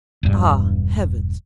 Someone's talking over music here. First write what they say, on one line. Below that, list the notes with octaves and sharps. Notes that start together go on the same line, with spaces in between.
'Ah, heavens!
E1 G2